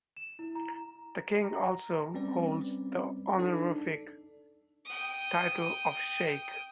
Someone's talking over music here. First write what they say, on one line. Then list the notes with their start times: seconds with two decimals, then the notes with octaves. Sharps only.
The King also holds the honorific title of sheikh.
0.17 E7
0.39 E4
0.55 A#5
1.44 A#5
2.14 G3 C4 C#4 B4 D5
3.38 D4 D#4 A4 D5
4.85 G5 D#6